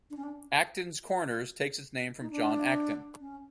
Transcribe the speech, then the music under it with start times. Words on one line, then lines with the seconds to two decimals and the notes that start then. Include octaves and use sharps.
Actons Corners takes its name from John Acton.
0.10 D4
0.17 C#4
0.23 D4
2.21 D#4
2.31 D4
3.20 C#4